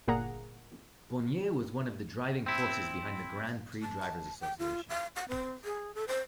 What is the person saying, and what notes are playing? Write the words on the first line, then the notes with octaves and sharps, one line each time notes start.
Bonnier was one of the driving forces behind the Grand Prix Drivers' Association.
G1 A#2 A#3 G#4 F#5 A#5
C4 E4
A5
G5
F4
F5
F#5
C4
G#4
A4
C5